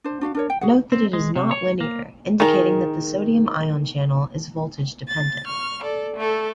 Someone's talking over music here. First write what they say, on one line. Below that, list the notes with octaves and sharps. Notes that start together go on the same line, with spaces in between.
Note that it is not linear, indicating that the sodium ion channel is voltage-dependent.
D4 C5
D4 F#4 F5
D4 A#4 C#5
G5
F#4 G#4 F#5
C4
G#3
C3
C#5
A#3
D#3 G#4 A#4
A6
C#6 F6
A4 D5
A3 A4